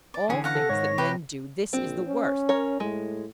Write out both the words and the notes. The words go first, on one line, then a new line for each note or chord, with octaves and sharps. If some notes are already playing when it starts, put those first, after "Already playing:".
Of all things that men do this is the worst.
D5
D3 E3 C#4 G#4 A5
F5 F#5 C#6 A#6
A4
G#2 D#3 C#5
C3 G4 B4
A#1 C4
C#4
A#4 C#5
A2 G#3